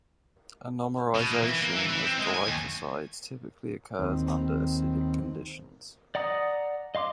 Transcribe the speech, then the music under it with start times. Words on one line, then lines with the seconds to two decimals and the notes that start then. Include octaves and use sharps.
Anomerization of glycosides typically occurs under acidic conditions.
1.15 B2
1.31 A#3
1.43 E3
1.61 A#3
1.74 E3
1.89 E3
2.06 C4
2.20 G#3
2.34 G#5
2.46 D#2
3.99 D#2 C4
6.15 D5 F#5 A#5 D#6
6.95 D#5 F5 C6 D6